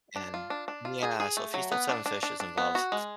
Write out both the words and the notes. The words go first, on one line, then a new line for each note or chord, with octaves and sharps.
and Yeah, so, Feast of Seven Fishes involves
D4
F4
D4
D4
F4
G#4
G#4
A3
F#3
B3
D4
D4
D4
D4
B3
F#4
G#3